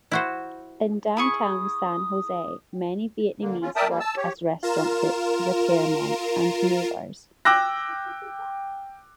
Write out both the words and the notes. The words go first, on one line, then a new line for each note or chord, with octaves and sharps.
In downtown San Jose, many Vietnamese work as restaurant cooks, repairmen and movers.
E4 F#4 C5
E4 G#4 C#6 D#6
D3 A#3
C#4 F4
A#4 D5 E5 G5 A5 D#6
G3 A#3
A5 E6
G4 C#5
F4 A#4 E7
G5 D6 E6 F#6 A#6